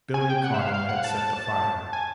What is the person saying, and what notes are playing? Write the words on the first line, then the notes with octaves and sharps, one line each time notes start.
"Billy" Connell had set the fire.
G#5
G5
F#5
E5
F5
F5
F#5
A5
G#5